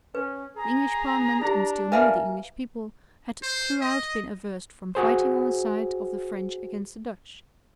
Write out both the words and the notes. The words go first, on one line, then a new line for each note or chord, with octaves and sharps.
The English Parliament, and still more the English people, had throughout been averse from fighting on the side of the French against the Dutch.
C#4 B4
G#4 A#5
D4 E4 G4
A#3 F4 B4 E5 F5 G#5
C5
D#5
F#4 G#4 C5